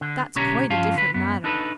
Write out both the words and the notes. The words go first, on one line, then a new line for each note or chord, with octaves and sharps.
"That's quite a different matter."
D3
B1 D3 C#4 G4 C#5 A#5
G2 F3 C#4 F4 F5 A5
D3 B4
F#2 B3
D4 D#4 A4 B4